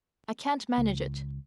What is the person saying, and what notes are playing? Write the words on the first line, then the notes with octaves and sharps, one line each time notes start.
I can't manage it.
C#2